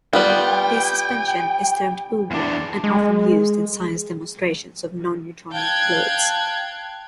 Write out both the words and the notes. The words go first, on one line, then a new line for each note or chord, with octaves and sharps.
This suspension is termed oobleck and often used in science demonstrations of non-Newtonian fluids.
G3 B3 F4 G5
E2 D4
G#3
F5 G5 A5 F#6 G#6